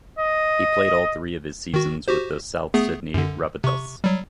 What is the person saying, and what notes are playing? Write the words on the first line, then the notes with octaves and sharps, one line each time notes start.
He played all three of his seasons with the South Sydney Rabbitohs.
D#5
D#3 F#4
F#4 G4 C5
A3 B3 G#4
F#2 D3
C3 C#6
F#3 G3